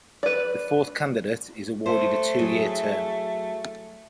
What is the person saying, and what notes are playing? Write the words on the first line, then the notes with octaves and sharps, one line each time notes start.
The fourth candidate is awarded a two-year term.
B4 D5
A3 C5
F#3 E4 G#4